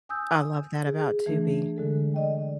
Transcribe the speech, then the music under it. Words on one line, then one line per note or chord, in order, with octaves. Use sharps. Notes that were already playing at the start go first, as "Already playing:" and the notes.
I love that, about Tubi.
G#5 D#6 E6 G6
G#4
E3 A3 D4
D3 G#3 A4
D5 D#5 G5